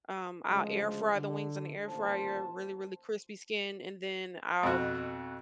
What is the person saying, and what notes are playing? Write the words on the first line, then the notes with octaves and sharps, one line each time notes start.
um, I'll air fry the wings in the air fryer, really, really crispy skin and then I'll,
D2 C#3 F3 G#3
D3
A1 D#2 A#2 F4 C5 A5
F2 B2 F#4